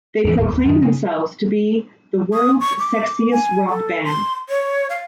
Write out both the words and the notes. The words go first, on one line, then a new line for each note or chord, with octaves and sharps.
They proclaim themselves to be "The World's Sexiest Rock Band".
E2 G#2 E3
G1 D#2 A2
D#2
F#2 D#3
C#3
D#6
C#6
D6
G#5
A4
C6
C#5
F5